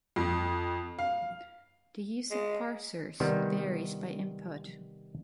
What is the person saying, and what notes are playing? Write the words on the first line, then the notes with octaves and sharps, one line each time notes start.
The use of parsers varies by input.
F2
F5
G#3
C3 D#3 G3 B3